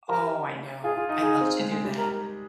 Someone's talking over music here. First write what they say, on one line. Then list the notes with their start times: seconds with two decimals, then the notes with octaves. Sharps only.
Oh, I know. I love to do that.
0.09 G4 A#4
0.84 F4 G#4
0.97 F4
1.09 D#4
1.22 D#4 G#4
1.41 C4
1.60 G#3
1.72 G#3
1.85 G3
1.97 A#4